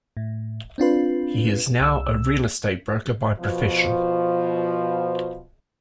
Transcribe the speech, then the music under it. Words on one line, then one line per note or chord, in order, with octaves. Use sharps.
He is now a real estate broker by profession.
A2
C4 D4 F4 B4
C2 E6
B2 F3